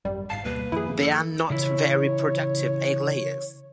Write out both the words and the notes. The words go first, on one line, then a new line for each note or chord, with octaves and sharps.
They are not very productive egg layers.
G#1 F#2 G3
G1 G#2 F5 A5 C7
D2 B2 G3 A#3 B4
F#2 D#3 F3 E4 G#4
A4
C#3 E3 E4 C#5